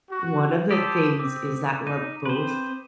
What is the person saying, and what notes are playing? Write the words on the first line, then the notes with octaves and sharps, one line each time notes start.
one of the things is that we're both
F#4
G4 A4 C5 D#6 B6 D#7
C4 D6
D#4 D#7
C4 B4 C5